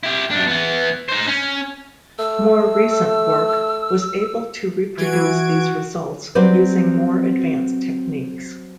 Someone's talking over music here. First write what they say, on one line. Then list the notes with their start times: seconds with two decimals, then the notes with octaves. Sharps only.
More recent work was able to reproduce these results using more advanced techniques.
0.03 E4 G4
0.31 F#2 D4
0.47 E3 B3
1.09 D#4 C5
1.27 C#4
2.19 A3 E6
4.97 E3 F#4 G#6 D7
6.35 F#3 G3 C4 B4 C5 D5